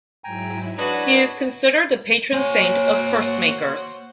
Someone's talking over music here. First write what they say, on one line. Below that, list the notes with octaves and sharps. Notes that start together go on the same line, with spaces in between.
He is considered the patron saint of pursemakers.
G#2 F#3 E4 G5 G#5 A#5
D4 F#4 B4 C#5 D#5 F#5
A#3 F#4 C5 C#5 F#5 G#5